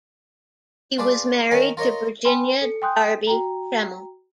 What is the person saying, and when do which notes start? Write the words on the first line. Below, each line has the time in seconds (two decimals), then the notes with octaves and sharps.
He was married to Virginia Darby Trammell.
0.98 F4 G#4 B4 D5 A5
1.51 D#3 C#4 A#4 F5
1.77 F4 A#4 C#5 D#5
2.25 B4 G5 G#5 B5 C6
2.61 A4 C#7
2.82 G5 G#5 C6 D#6 F#6 G6
3.27 F#4 G5 A#5